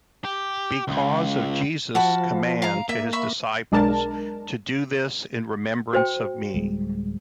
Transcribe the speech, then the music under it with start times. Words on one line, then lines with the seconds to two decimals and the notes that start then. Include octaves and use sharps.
Because of Jesus' command to his disciples to Do this in remembrance of me.
0.25 G4
0.88 C#2
1.95 F3 F#4 A5 B5
2.62 F5 A#5
2.89 A#3 E5
3.13 E5 B5 C#6
3.72 B1 G#3 D4 A#4 A5
5.93 F#4 C5 G5
6.54 D1 G3 G#3